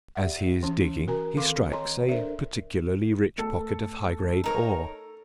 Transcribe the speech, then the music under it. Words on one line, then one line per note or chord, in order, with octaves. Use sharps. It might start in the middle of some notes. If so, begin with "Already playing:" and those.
As he is digging he strikes a particularly rich pocket of high-grade ore.
G4 D5 E5 F#5
E3 C#4
F#4 A#4 G#5 A#5
D#3 C4 A4 F5 C6 D6
C#5 D#5 G#5 A#5 C6
D4 A4 A#4 C5 D5 E5
A3 A4
D#4 A#4 C#5